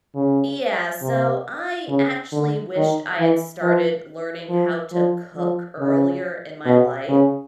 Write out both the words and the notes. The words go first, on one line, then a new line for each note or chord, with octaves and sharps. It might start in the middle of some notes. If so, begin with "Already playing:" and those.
Yeah, so I actually wished I had started learning how to cook earlier in my life.
C#3
C3
C#3
D3
D#3
E3
F3
F3
F3
F3
C#3
B2
C#3